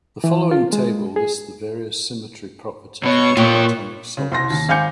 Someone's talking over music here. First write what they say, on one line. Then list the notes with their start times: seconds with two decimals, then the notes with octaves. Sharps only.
The following table lists the various symmetry properties of the Platonic solids.
0.24 E3
0.51 F4
0.73 G#3
1.16 G#4
3.03 B2 B3 C#5 C#6
3.37 A#2 F4 G5
4.17 C#3
4.32 C2 C6 A#6
4.50 D#2
4.69 G#1 F5 G#5 D6 G6 C#7